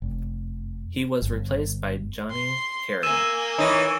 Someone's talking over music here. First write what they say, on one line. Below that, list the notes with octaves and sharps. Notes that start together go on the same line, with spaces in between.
He was replaced by Johnny Carey.
F1
G1
C6
A#3 G#5 E6 D#7 E7
E3 D#4 C#5